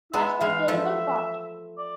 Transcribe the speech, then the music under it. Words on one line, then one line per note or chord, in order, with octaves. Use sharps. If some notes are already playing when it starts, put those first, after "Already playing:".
That's the terrible part.
G#3 B3 E5
E3 G#3 F5
F3 A3 E5
D5